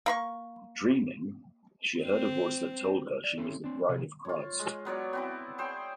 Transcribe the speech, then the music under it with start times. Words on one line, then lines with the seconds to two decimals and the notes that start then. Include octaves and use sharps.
Dreaming, she heard a voice that told her she was the Bride of Christ.
0.06 A#3 B5 C#6
2.03 C4
3.24 D5
3.38 C4 C#4 E4 A4
3.64 C4 D4
3.89 C3 F3 G#4
4.25 F4 C#5
4.59 G#3
4.85 F#3 B3 C#5 D5
5.13 B3 C4 E4
5.58 G#4 C5 C#5 G5